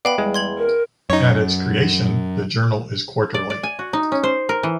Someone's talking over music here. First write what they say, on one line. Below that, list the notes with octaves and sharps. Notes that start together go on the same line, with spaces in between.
At its creation, the journal is quarterly.
B3 D5 F5 G5 B5
E2 G3 G#3
C6 G#6 F#7
A#4
F#2 D#4 C#5
D5
D5
G#5
F#4
D#4
C#4
C5
A#4
E3